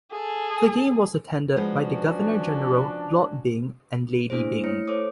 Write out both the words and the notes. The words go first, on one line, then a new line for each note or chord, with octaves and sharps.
The game was attended by the Governor General Lord Byng and Lady Byng.
G#4 A4
F3 G#3 B3 C#4 D4 F#4
A#3 D4 E4 G#4 C5
A3 E4 C#5 C#7
A4 C5 C#5 D6 D#6